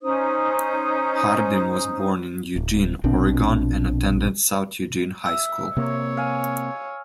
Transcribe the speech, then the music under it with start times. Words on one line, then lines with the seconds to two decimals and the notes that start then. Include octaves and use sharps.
Hardin was born in Eugene, Oregon and attended South Eugene High School.
0.02 C#4 D#4 C5 D#6
2.56 D1
3.04 A#1 B2 C4 D4
5.26 E5 E6
5.77 C3 A#3 C#5
6.17 F5 G#5